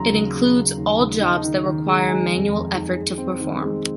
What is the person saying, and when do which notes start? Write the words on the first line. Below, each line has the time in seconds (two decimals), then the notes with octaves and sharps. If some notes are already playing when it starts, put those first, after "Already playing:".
It includes all jobs that require manual effort to perform.
Already playing: D#2 C#3 F#3 A#5 C6
0.13 C#3
0.34 C#3
0.56 C#3
0.78 D#2
0.99 C#3
1.21 D#4
1.44 D#3
1.65 D#3
1.87 G#3
1.99 A#5
2.08 G#3 G#5
2.31 F2
2.52 F2
2.75 D#3
2.96 G#3
3.18 C4
3.40 D#3
3.62 G#3